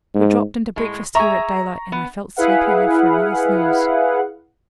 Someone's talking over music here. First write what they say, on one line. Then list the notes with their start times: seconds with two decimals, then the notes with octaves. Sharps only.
We dropped in to breakfast here at daylight, and I felt sleepy enough for another snooze.'
0.15 G#2
0.76 A2 G#3
1.15 G#4 E5 A#5 C#6
1.92 B3
2.36 E4 G#4 B4 F5 F#5